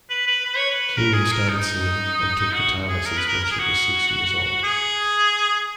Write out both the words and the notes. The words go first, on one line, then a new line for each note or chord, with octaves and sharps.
Keenan started singing and took guitar lessons when she was six years old.
B4
B4
B4
C#5
B4
A#4
G#4
A#4
D#4
F#4
G#4
A#4
B4
A#4
A#4
G#4
F#4
G#4